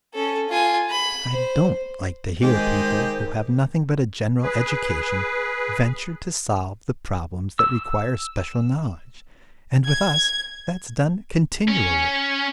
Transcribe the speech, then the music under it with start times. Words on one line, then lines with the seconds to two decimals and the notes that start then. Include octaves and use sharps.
I don't like to hear people who have nothing but a general education venture to solve the problems that require special knowledge; and with us that's done continually.
0.15 C#4 A4
0.49 F4 G#5
0.90 B5
1.31 C5
2.42 D#3 G#3 G4 G#4 C5 D#5
4.43 G#4 B4
7.59 E6
9.87 G#6
11.68 C#4